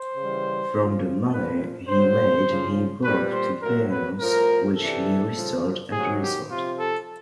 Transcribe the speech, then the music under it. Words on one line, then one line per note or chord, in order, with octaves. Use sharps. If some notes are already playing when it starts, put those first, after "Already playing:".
From the money he made he bought two pianos which he restored and resold.
Already playing: C5
C#3 E3 G3
C#3 F3
A#2 F3 B4
C#3 F#3 C5
C#3 F3
A#2 G3 B4
C5
A2 F#3 A#4
B4
A2 F3 A#4
C3 E3 G3 A4
C#3 F3
C3 D#3 F#3 G#4
G4
C3 F3 F4
A4